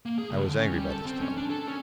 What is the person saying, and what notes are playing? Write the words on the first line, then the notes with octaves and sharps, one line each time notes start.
I was angry by this time.
A#3
G#4
C#2
D3
C#4
G3
A4
C4
C#4
D4
A4
C#4